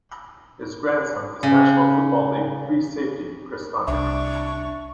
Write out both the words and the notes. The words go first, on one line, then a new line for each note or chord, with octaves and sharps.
His grandson is National Football League free safety Chris Conte.
C#3
C2 D4 E5 C#6